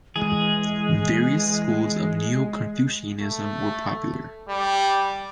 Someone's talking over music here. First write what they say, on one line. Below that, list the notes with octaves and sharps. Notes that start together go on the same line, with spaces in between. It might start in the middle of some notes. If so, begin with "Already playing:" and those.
Various schools of neo-Confucianism were popular.
E3 G#3 G#4
A3
G3